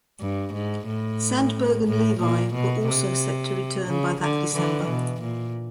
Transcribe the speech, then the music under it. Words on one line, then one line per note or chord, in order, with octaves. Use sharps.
Sandberg and Levi were also set to return by that December.
G2
G#2
A2
A2
A#2
B2
C3
C#3
D3
D3 E3
B2
A#2